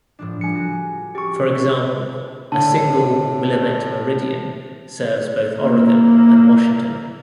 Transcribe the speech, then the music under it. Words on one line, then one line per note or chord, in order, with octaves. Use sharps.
For example, a single Willamette Meridian serves both Oregon and Washington.
A2 F3 D4
F3 G3 G#5 C#7
F#4
C#4 G4 C#6 D6
A2 D3 A5
A#3 E4